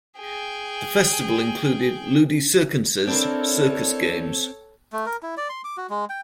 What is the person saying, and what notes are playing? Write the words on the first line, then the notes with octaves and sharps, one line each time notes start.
The festival included "ludi circenses", circus games.
G#4 G5
C4 D4 E4 A4 A#4 C#5
A3
A#4
E4
D5
C6
D6
F#4
G#3
G5